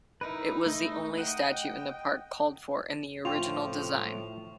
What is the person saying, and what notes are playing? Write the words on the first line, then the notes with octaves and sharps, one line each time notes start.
It was the only statue in the park called for in the original design.
D#4 E4 A#4 B4
A3 E4 D#5
D#5 F#5 G5
A2 F3 F4 G5 C#6 F7